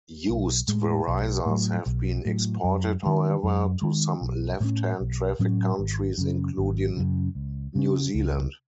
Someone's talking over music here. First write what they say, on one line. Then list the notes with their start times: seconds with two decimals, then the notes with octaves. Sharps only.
Used Verisas have been exported however, to some left-hand-traffic countries including New Zealand.
0.29 B1
0.68 A2 G#3
1.07 B1
1.46 A2 F#3
1.86 B1
2.25 A2 F#3
2.64 F#2
3.03 D#3 G#3
3.43 F#2
3.81 D#3 G#3
4.21 B1
4.60 A2 F#3
4.65 C#4
5.00 B1
5.39 A2 F#3 C#4
5.79 G#1
6.18 F#2 C#3
6.58 G#1
6.97 F#2 C#3
7.35 C#2
7.75 C#3 F#3 C#4
8.14 C#2